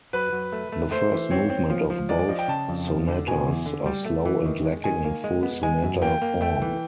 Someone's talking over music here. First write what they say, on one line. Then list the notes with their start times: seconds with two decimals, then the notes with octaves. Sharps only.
The first movement of both sonatas are slow and lacking in full sonata form.
0.13 F#3 B4
0.33 F#3
0.52 A3
0.72 A3
0.91 A3 C5
1.12 E3
1.30 C4 C#5
1.50 C4
1.70 F3
1.90 F3
2.09 G#3 D5
2.19 D5
2.28 F3 D#5
2.39 G5
2.48 C#3 A5
2.69 F2
2.88 F3
3.08 D3
3.28 B2 G#5
3.47 E2
3.66 D3
3.86 G3
4.05 A3
4.25 E3
4.45 D#3
4.65 G#3
4.84 D#3 G#5
5.04 A#3
5.24 G#3
5.43 B3
5.63 G#3 G#5
5.83 F#2
6.02 A#3 G5
6.22 A#3
6.41 A3 G5
6.62 E3